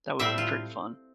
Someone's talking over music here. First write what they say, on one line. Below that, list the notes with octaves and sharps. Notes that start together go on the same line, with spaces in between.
That would be pretty fun.
A2 G3 C4 E5
F4